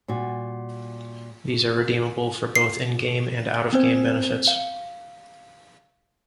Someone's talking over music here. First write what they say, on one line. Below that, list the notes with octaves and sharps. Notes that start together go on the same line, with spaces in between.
These are redeemable for both in-game and out-of-game benefits.
A#2 G3 F#4
C7
B3 C4 C5
F5